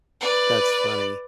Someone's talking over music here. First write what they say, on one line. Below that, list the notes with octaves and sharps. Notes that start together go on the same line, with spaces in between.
That's funny.
B4 D5